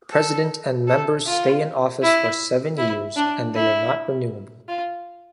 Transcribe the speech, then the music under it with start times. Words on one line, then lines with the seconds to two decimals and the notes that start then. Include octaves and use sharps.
President and members stay in office for seven years and they are not renewable.
0.11 A4
0.87 A4
1.26 F4
2.02 E4
2.78 E4
3.16 D4
3.54 E4
4.68 F4